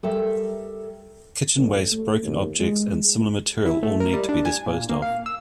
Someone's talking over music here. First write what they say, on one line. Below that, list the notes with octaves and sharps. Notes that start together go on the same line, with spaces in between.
Kitchen waste, broken objects, and similar material all need to be disposed of.
G3 A4 A#4 E5
A1
A3
D#2
G#3
E4
A3
A#4
G3
D4
G#5
A#2
A#3
F5
E6